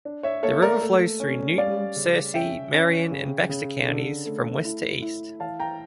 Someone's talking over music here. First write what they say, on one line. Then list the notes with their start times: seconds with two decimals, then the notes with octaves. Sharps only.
The river flows through Newton, Searcy, Marion, and Baxter Counties, from west to east.
0.05 D4
0.23 C#5 E5
0.43 A#3 A4 C#5
0.62 A#4 D5
0.82 A3
1.20 C#4
1.58 G3 D5 F5
1.96 C#3
2.34 C#4 E5 G5
2.73 C#4
3.11 C#3
3.49 C#3
3.88 D3
4.25 A3
4.65 E4
5.02 E4
5.40 E3 F5 A5
5.60 G5 A#5